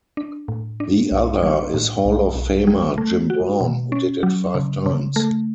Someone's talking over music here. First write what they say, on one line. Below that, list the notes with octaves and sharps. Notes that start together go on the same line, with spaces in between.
The other is Hall of Famer Jim Brown, who did it five times.
D4
A2
D4
B1
G3
A2
B1
B1
G3
A3
F#4
B2
C#4
F#3
C#3
C#3
A3